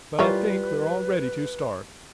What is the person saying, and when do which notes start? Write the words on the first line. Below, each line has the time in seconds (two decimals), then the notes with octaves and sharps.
But I think we're all ready to start.
0.19 E3 G3 F4 A#4 B4 C#5